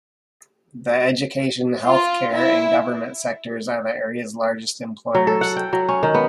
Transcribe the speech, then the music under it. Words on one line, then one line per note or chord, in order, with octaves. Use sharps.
The education, health care and government sectors are the area's largest employers.
F4
E4
F#3
A4
F#5
G5
F#3
C#4
D#3
B3